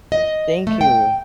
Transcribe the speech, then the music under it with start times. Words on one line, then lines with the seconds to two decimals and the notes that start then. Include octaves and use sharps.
Thank you.
0.12 D#5
0.67 A3
0.81 G5